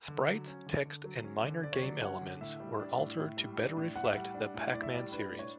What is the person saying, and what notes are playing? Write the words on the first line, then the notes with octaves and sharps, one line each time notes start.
Sprites, text, and minor game elements were altered to better reflect the Pac-Man series.
D3
F#3
C#4
D3
D3
F#3
C#4
D3
D3 D5
C#5
F#3 D5
C#4 F#5
D3
A2 E5
G3
D4
A2
A2
G3
D4
A2
A2 F#5
E5
G3 F#5
D4
A2
A2 D5
E5
G3 D5
D4 B4
A2
C#5